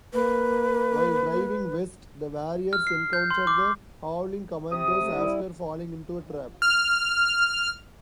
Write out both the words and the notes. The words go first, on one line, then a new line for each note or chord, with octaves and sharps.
While driving West, the Warriors encounter the Howling Commandos after falling into a trap.
A#3 B4
F6
C7
G6
C6
D6
C3 D#6
A3
G3 E4
F6